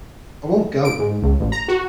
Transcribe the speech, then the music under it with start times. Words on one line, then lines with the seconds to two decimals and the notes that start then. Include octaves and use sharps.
I won't go!
0.85 D7
0.99 G#2
1.22 C#2
1.40 A1
1.52 A#5
1.68 F#4